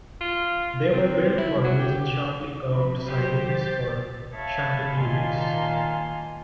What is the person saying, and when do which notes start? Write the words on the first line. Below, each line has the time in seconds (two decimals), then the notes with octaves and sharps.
They were built for use in sharply curved sidings for shunting duties.
0.21 F4
0.93 C4
1.38 E4
1.64 F#3
1.79 G4
2.69 C3 F3 B5
3.07 F#3 G4 C5
3.49 A6
4.32 C#5 E5 F5 A5 B5
4.96 A#2 D#3 F5 G#5 A5 C6